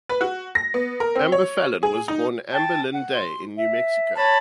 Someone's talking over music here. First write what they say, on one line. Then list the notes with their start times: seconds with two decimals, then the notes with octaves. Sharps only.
Amber Fallon was born Amber Lynn Day in New Mexico.
0.09 B4
0.21 F#4
0.55 A#6
0.74 B3
1.00 A#4
1.16 C4
1.32 C#5
1.83 G#4
2.08 D#4
2.51 G5 A5
2.92 F#5
3.15 C6
3.57 E5
4.15 C#5 A5 B5